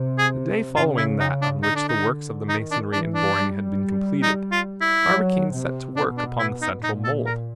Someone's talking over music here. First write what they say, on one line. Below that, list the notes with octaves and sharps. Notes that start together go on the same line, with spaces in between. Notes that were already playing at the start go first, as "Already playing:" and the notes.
The day following that on which the works of the masonry and boring had been completed, Barbicane set to work upon the central mould.
Already playing: C3
G#4
C#3 F4
E4
D#4
D4
D3 D#4
D4
D#4
D#3 D#4
D4
E3 D4
D4
G3
D#4
F4
E4
F#3
C3
B2 D4
D4
E4
D#4
A#2 D#4
A4
A#4